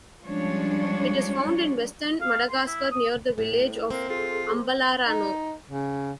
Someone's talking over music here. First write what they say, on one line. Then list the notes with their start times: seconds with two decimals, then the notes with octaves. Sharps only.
It is found in Western Madagascar, near the village of Ambalarano.
0.25 F3 G3 G#3 C#4 D4 C#5
2.21 F5
2.50 C6
2.66 E4
2.91 D#6
3.38 A2
3.90 A#3 C4
4.09 F4 G#4 A4
5.07 D#4
5.70 C#3